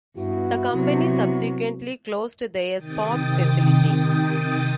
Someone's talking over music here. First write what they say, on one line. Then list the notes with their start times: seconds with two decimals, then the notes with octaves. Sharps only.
The company subsequently closed their Sparks facility.
0.17 G2 B3 E4 F#4
0.73 C3 F#3
2.78 C3 D#3 G5 D#6 G6 A6